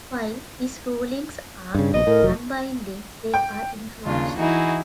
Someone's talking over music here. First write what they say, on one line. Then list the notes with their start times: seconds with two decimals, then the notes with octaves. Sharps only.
While his rulings are nonbinding, they are influential.
1.75 G2 C#3
1.94 A#1 B2 D#5
2.07 A2 A#4
2.23 F1 F#3
3.34 G5
4.06 D#2 C#3 D4 F4
4.37 E3 D#4 E4 F#4 G#4